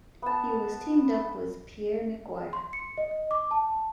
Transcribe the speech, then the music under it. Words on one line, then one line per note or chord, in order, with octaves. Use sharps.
He was teamed up with Pierre McGuire.
B3 A5
C6
C#7
D#5
D6
A5